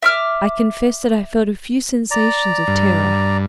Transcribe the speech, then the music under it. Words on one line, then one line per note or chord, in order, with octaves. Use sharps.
I confess that I felt a few sensations of terror.
E5 D6 F6
D5 A#5
G2